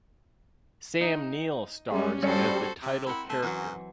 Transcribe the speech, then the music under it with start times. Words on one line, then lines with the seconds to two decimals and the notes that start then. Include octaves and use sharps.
Sam Neill stars as the title character.
1.01 D#4
1.91 G3 G#3 C#4
2.22 G2 G3 C#4 F#4 A4 C5 C#5
2.82 C3
3.06 C4 E4 A#4 F#5
3.29 A3 C5 G#5
3.42 F#2 E3 F#3